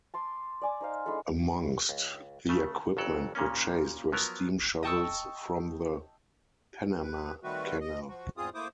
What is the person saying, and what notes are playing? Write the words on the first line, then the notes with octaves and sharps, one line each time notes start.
Amongst the equipment purchased were steam shovels from the Panama Canal.
A5 C6 D6
D5 G#5 D6
D#4 C5 F5
G#3 D4 E4 A4
C#2
C#3 A3
G1 F2 F#3 A4 D5
A#2 C#3 A#3 C#4
F3 F#3 B3 A#4
D#5 G5 A5 C#6 D#6 E6
B4
D#3 G3 A3 C4 F#4 B4
D#5
F3 F#4
E2 G#2 C4 F4 G#4 D#6
A3 A#3 E4 C5 D6 D#6